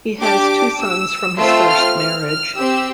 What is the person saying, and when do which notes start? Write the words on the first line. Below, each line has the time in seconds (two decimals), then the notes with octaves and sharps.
He has two sons from his first marriage.
0.21 D4 G4 D6
0.80 E6
1.38 A3 C4 F4 A4 E6
1.68 F6
1.98 F6
2.27 F6
2.56 C4 G4 E6